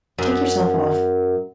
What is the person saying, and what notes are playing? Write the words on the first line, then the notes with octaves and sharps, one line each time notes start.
Take yourself off.
F#2